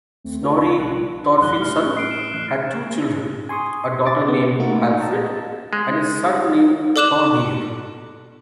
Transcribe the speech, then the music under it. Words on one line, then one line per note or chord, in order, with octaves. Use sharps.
Snorri Thorfinnsson had two children; a daughter named Hallfrid, and a son named Thorgeir.
D#2 A3 C4
D#4 F4 F#4 A#4 B4 D5
F4
A1 B2 G3 D4 F#6
F#2 E3 G3 F#6 G7
A2 F6
F#6 C7 D7
E7
E3 A3 F#6
G#5 C6 C#6 D#6
D6 A6
B3
A3 A#3 D#4 F#4 A#4
D#5 A5 A#5
G#3
A4 D5 D6 F#6 E7 F#7